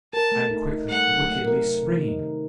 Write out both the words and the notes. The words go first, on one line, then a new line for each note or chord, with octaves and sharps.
And quickly, wickedly springing!
A#4 A5
A3
D#4
D#4
A3 F#5
F#3
A3
A#4
C3
C3
D#4
D#3